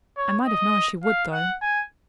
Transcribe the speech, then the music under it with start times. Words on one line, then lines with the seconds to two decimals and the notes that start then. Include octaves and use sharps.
I might have known she would, though.
0.17 C#5
0.46 D#5
1.04 F5
1.33 F#5
1.62 G#5